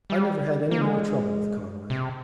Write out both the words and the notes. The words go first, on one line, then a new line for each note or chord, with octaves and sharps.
I never had any more trouble with Conway.
G3
A#3
G#3
C3